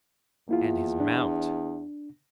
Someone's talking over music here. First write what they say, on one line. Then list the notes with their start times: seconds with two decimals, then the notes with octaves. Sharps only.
And his mount!
0.49 E2 A#3 E4 F4
1.00 D4